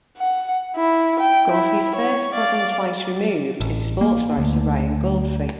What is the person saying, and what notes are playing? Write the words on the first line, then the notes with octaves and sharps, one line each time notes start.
Gorcey's first cousin, twice removed, is sports writer Ryan Gorcey.
F#5
E4
G5
E4
C#5
D5 F5
A1
A#3
D2